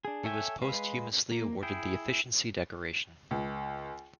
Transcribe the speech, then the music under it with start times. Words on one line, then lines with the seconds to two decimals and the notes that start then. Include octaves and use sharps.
He was posthumously awarded the Efficiency Decoration.
0.05 D4 G#4
0.24 A4 C#5 E5 G5 G#5
0.62 G#3 B4 F5
1.32 A#3
1.63 E4 G#4 G5
3.31 C#2